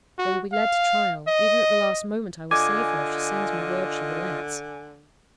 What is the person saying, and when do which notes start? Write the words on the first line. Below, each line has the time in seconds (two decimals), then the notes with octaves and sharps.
They will be led to trial,--even at the last moment, I will save her, if she sends me word she relents.
0.18 F#4
0.52 F5
1.28 D#5
2.51 D3 F4 D#5 G#5 D6